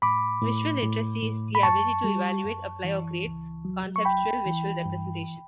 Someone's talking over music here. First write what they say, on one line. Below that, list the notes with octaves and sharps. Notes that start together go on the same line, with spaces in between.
Visual literacy is the ability to evaluate, apply, or create conceptual visual representations.
A2 B5 D6
A2
A2
A2
B5
F#2 A5 C#6
G3
F#2
E3
C#2
F#3
C#6
C#2 G5 B5
E3
G2